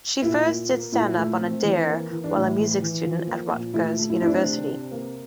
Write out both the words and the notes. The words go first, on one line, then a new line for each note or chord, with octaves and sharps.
She first did stand-up on a dare while a music student at Rutgers University.
A#2 E4
A#2
A#3
A#2 E4
A3
C4
E3
A#3
E3
D4
A2 E4
E3
E3
F3
A#3
A#2
A3 E4
A3
E4
C4 E4
D4
C3
C3
A#3